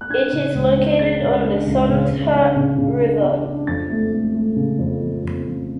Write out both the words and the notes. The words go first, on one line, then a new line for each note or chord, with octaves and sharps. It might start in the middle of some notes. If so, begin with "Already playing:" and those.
It is located on the Sunzha River.
F#6
D4 G#6
C#3
C#2
D4
G#3 A6
C#2
D4
C#2
C#3
C#2
D4
C#3
C#3
D4
D4
D4
F2 A6
A3
A3
A3
C#3
F2
F3
F2
F3